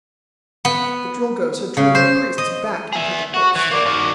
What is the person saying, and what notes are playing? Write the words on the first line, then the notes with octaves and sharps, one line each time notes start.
The Drilgoes had driven the priests back into the hooks.
B3
C#3
C5
D#5
G#4 E5
F#4 C#6
E3
A#3 D4 D6
D#3 F#4